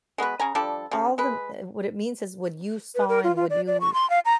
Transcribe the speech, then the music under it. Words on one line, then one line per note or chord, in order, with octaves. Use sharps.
all the m eh, what it means is what you saw and what you
G#3 B3 F#4 B4
C#3 G#5 A#5
F3 G3 D4 A4
C#3 F3
G#3 B4
B4
A#4
F4
F4
D5
D5
C#6
C6
F5
A#5